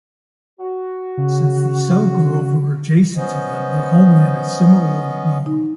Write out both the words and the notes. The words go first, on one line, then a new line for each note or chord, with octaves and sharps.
Since the Selgovae were adjacent to them, their homeland is similarly known.
F#4
C#3
B3 C#4 C5 D#5
D#4